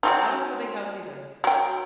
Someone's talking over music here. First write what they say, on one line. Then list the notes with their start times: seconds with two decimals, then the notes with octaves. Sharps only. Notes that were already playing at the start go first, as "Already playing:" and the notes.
I don't have a big house either.
0.03 F#3 C4 D#4
1.44 F#3 G5